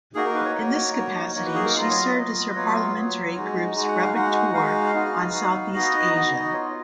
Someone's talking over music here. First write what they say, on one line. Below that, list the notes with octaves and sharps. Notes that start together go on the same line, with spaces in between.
In this capacity, she served as her parliamentary group's rapporteur on Southeast Asia.
A#3 D#4 F#4 G#4
A#4
B4
C#5
A#3 D#4 F#4
A#3 D#4 F#4
A#3 D#4 F#4 C#5
B4
G#4
A#4
F#3 B3 F4 F5
D#5
C#5
D#5
F#3 B3 F4
B4
F#3 B3 F4 C#5
F#3 B3 F4
G#3 D#4 F#4
G#3 D#4 F#4
F#5
F5
G#3 D#4 F#4 F#5
G#3 D#4 F#4 F5
B3 D#4 F#4
B3 D#4 F#4
B3 D#4 F#4 D#5
B3 D#4 F#4
B3 F4 C#5